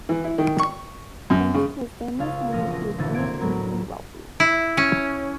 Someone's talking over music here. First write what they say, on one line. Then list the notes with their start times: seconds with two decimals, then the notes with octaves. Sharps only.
Thanks to his family's money, he is independently wealthy.
0.09 E3
0.24 E4
0.38 D#3
0.60 C#6
1.30 F#2
1.54 C#3
2.19 C#2 C#4 F5 A6
2.53 E1 A#2 F3 D#6 F6 A#6
2.71 D#6 A#6
2.98 A1 D2 B2 E3 A6
3.14 A#3 C4 G#6 D7
3.40 A2 F#3 B3 A#4
4.40 E4
4.78 C#4